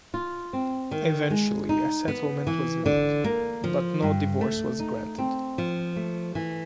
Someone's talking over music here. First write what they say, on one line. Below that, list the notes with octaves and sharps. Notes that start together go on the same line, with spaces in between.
Eventually a settlement was made, but no divorce was granted.
F4
C4
D#3
G#3
D#4
B3
E3
D3
A#3
F3
G2
A3
D#4
C4
F3
A3
E3